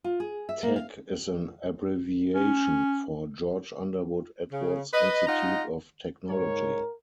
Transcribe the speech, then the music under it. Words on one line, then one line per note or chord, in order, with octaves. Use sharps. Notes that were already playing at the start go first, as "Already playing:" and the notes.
Tech is an abbreviation for "George Underwood Edwards Institute of Technology".
F4
G#4
E5
A#3
F5
C#4
C#3
B4 D#5
D#4 F4 D#5 F#5 A#5
G#2 A#4 C#5